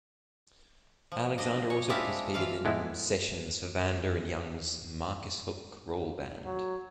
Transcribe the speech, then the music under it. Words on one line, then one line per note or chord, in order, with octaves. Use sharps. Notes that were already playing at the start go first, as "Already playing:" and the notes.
Alexander also participated in sessions for Vanda and Young's Marcus Hook Roll Band.
F3
A2 D4 D#5
C#5
G#3 C4 D4 E4 F4 G4
E3 F4 F5
A2 G#3 B3 C4 E4
F#3